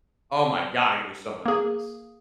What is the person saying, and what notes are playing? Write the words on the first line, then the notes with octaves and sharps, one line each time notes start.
Oh my God. I could do so much with this."
A#3 G#4